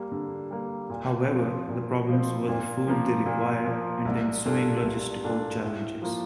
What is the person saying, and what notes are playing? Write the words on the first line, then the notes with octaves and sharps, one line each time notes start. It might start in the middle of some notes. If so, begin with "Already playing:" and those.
However, the problems were the food they required and the ensuing logistical challenges.
Already playing: G3 A#3
D3
G3 A#3
A#2
F3 C4
A#2
F3 C4
A#2
F3 A#3
A#2
F3 A#3
C2
A#2 G3 D4 A4
C2
A#2 G3 D4 A4
A2
F3 A#3 F4